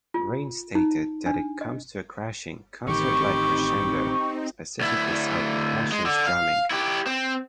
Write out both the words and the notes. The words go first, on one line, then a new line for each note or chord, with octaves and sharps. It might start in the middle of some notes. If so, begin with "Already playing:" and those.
Grein stated that it "comes to a crashing, concert-like crescendo", specifically citing Hashian's drumming.
F4
D#4
D4
D#5
A1 D#3 C4 D#4 G4 B5 C#6
D2 E4
G#3
D3
F5
E4 G4
C4